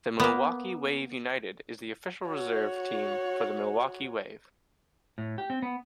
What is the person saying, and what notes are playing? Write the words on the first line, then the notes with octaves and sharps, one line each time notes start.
The Milwaukee Wave United is the official reserve team for the Milwaukee Wave.
A#3 B3
F#4 C#5
A2
G4
C4
B3